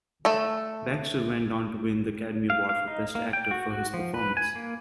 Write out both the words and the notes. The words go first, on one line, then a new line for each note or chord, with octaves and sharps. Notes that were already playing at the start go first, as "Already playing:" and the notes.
Baxter went on to win the Academy Award for Best Actor for his performance.
A3 A4
F5
F5
D#4
A#3
G5
F#4
F#4
F3
B4
G#5
A#3